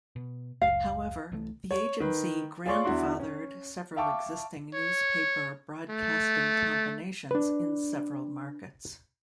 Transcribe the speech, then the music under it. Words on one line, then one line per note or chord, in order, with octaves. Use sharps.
However, the agency "grandfathered" several existing newspaper-broadcasting combinations in several markets.
B2
F#1 C#2 F5
C2 E3 A3
C#5
D#3 B4
F4 G#4 C#5 D5 C6 C#6
E2 D4 E4 F#4 C6
C#4
E5 F5 G5 A5 C#6 D6
C#5
A3
D4 B4